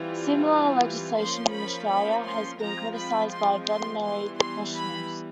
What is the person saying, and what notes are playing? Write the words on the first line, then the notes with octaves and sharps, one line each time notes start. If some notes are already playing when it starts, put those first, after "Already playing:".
Similar legislation in Australia has been criticized by veterinary professionals.
Already playing: E3 G3 C4 F4
F3 A#3 C#4 C6
B5
B5
C6
F3 G#3 C4 F4 A#5
B5
C6
C6
E3 G3 B3 C6
C6
B5